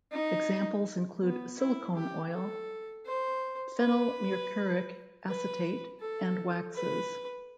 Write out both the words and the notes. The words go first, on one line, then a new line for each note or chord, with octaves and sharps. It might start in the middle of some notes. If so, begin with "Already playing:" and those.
Examples include silicone oil, phenyl mercuric acetate and waxes.
D#4
B3
E4
G4
A4
C5
B4
B4
A4
B4